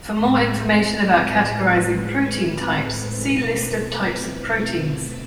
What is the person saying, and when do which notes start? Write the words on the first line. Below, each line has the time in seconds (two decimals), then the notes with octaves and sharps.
For more information about categorizing protein "types", see List of types of proteins.
0.16 A2 G#3 C4
0.92 B4
2.44 A4
2.83 A4
3.21 B2 A3 C4 E4 B4
4.73 A4